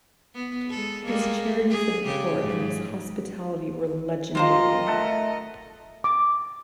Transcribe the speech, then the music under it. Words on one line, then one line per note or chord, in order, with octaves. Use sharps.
His charity for the poor and his hospitality were legendary.
B3
G#3 A4
G3 G#3 A#3
G#4
C#3 G4
G#2
F#3 F4 G4 A#4 C5 D#5 F5 A#5
A3 A4 F#5 A5
D6